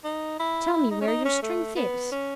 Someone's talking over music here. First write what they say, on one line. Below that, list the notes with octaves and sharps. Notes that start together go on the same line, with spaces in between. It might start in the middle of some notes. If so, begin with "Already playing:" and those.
Tell me where your strength is.
D#4
E4
E4
D#4
C#4
D#4
C#4
A3
B3
C#4